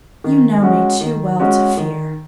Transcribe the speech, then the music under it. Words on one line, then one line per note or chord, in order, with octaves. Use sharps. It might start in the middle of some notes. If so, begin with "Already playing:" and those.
'You know me too well to fear.'
D#3
G#3 C#4 F#4
D#3
G#3 C#4 F#4
D#3